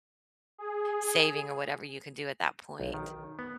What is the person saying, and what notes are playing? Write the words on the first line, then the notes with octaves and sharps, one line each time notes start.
saving or whatever you can do at that point.
G#4
B1
D#3
B3